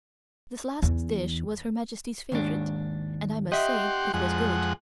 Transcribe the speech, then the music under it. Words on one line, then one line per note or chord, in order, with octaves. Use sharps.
This last dish was Her Majesty's favorite and I must say it was good.
E2
D#2 G#2 D4
G4 D#5 E5 F#5 C6
F2 G#3 F#5